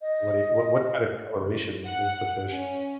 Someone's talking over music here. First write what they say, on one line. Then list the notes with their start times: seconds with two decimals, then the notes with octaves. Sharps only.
what it What what kind of coloration is the fish?
0.01 D#5
1.85 F#5
2.48 C#4